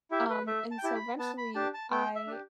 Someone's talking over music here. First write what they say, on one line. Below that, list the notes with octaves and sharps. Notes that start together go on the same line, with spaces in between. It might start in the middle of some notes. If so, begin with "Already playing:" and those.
Um, and so eventually, I
E4 G4 E5
B4
A3 E5
A5
G5
E4 G4 A5
B5
B3 A5
B5
D4 G4 A5
A5
B3 G5
E5
D4 G4